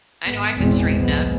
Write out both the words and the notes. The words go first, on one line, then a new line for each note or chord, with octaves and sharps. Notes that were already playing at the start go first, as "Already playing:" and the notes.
I know I could straighten up.
G#1 B3
G#1 E2 A#2 G#3 C4
C2 A#2 F3 G#3 B3